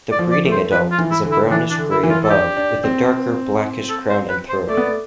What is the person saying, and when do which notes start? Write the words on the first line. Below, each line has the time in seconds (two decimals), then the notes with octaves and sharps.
The breeding adult is brownish grey above with a darker blackish crown and throat.
0.12 D5
0.19 F3
0.32 D5
0.45 A3
0.52 C5
0.71 F3 B4
0.92 F4
0.98 E3
1.11 E4
1.24 D3
1.31 E4
1.50 E3 D4
1.70 D4
1.78 D3
1.91 E4
2.03 E3
2.10 F4
2.24 A4
2.30 D4 G4
2.57 D4
2.84 C4
3.89 A4
4.10 C5
4.29 B4
4.49 C5
4.68 A3 D5
4.77 B3
4.86 A3